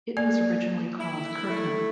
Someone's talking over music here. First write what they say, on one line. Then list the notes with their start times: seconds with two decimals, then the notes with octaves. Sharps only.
It was originally called "Kirkham".
0.17 A#3 D5
0.98 E4
1.50 A3